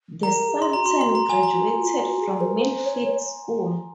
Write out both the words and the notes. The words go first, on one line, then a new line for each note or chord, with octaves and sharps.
The Sultan graduated from Millfield School.
A#4 A#5
G#4
C6
F#4 A#5
C6
C6
A#5
G#5
A#5
F4
F#4
G#4
C5
A#4
C5
C#5